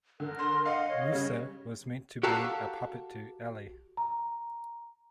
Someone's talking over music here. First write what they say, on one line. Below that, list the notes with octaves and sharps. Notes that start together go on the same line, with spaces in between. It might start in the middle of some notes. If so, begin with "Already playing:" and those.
Musa was meant to be a puppet to 'Ali.
D3 A#4
C6
D#5 F5 F#5
C#5
C#3 G3
F#4 G4 A4 A#4 F5 F#5
A#5